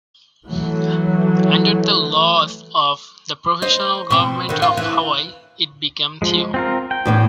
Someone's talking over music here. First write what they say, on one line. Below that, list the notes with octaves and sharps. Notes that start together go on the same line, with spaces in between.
Under the laws of the Provisional Government of Hawaii, it became Theo.
E3 F#3 A3
C5 D#5
B2 C4
D3 D#3
F4
E3
F3 G#3
C4 F4 A#4
G5
E2 A2 E3